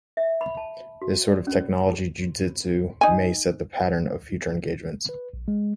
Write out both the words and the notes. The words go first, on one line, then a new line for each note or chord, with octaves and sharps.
This sort of technological jiu-jitsu may set the pattern of future engagements.
E5
B5
A5
F#4
D5
C#4
D#4 G#5
B4
A#1
G#3